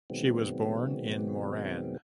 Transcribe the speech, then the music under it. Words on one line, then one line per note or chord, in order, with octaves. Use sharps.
She was born in Moran.
B2 D#3 F#3 G#3 B3 C4